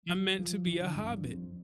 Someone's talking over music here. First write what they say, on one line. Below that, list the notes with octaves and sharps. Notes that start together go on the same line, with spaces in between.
I'm meant to be a hobbit."
F#3
F3
E3
D3
G#2
F#2
G2
F2